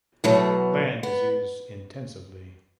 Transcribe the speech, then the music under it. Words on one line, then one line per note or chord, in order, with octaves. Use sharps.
Land is used intensively.
E2 B2 F#3 A3
B3